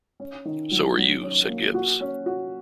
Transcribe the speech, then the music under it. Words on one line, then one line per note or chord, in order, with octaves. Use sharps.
"So are you," said Gibbs.
C#4
D#3
F#3
F#3
C#4
A#3
F#4
C#4
F#4